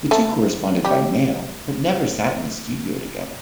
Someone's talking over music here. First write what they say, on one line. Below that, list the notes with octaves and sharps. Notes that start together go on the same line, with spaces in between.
The two corresponded by mail but never sat in a studio together.
A3 A4
G3 G4